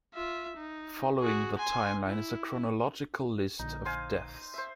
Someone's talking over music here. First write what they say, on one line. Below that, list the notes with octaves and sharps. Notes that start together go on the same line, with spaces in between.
Following the timeline is a chronological list of deaths.
F4 E5
D#4
F#4 G#4
G#5 C6
E4
A#1 D3 D#4
C5 F5 G#5
C5 E5